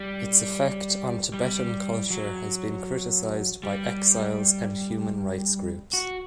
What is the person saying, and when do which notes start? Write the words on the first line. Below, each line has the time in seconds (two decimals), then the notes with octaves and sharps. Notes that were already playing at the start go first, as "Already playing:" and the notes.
Its effect on Tibetan culture has been criticized by exiles and human rights groups.
Already playing: G3
1.34 G3
2.10 F#3
3.63 G3
5.93 F#4